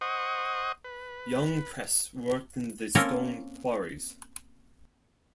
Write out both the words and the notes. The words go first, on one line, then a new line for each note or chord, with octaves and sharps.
Young Kress worked in the stone quarries.
C5 D#5 F#5 C#6 D#6
B4
A#3 C4 C#4 A4 A#4